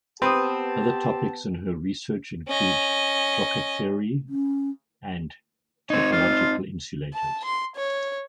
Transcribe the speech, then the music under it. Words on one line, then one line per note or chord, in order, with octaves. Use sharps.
Other topics in her research include floquet theory and topological insulators.
B3 C4 G4 B4 A5 D#6
C#4 D#5
C#4
C4 D#4 C#5
F4
A5
C6
C#5